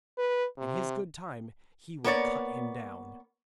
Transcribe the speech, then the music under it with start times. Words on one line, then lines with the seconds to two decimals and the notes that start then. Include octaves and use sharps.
In His good time He will cut him down.'
0.18 B4
0.58 C3
2.04 A#3 B3 C#5 D5